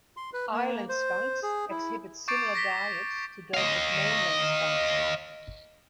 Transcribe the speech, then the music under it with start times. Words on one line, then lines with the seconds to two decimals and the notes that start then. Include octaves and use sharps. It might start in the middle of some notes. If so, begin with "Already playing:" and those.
Island skunks exhibit similar diets to those of mainland skunks.
0.17 C6
0.33 B4
0.52 A#3
0.89 C5
1.43 G#4
1.70 E4
2.28 C#6 D6 G6 A6 C7 D7
2.55 A#6 B6 G7
3.54 D#5 F5